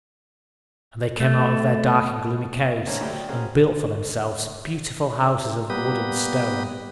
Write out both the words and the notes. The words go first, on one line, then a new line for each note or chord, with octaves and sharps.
And they came out of their dark and gloomy caves and built for themselves beautiful houses of wood and stone.
A3
D3 E3 A3 A#3 C5 C#5
D2 A2 F#3 A3 G4 G5
D2 G5
C#4 F#4 G#4 A#4 C5
G3 A#3 B3 G4 B4 D#6